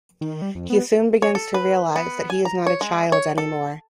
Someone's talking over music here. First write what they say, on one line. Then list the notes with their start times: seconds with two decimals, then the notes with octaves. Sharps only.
He soon begins to realize that he is not a child anymore.
0.21 D#3
0.42 G3
0.55 F2
0.70 B3
1.22 C#5
1.35 A4
1.54 B4
1.96 B3
2.30 G#5
2.45 A#5
2.67 C#5
2.81 G#3
3.12 C#5
3.38 A4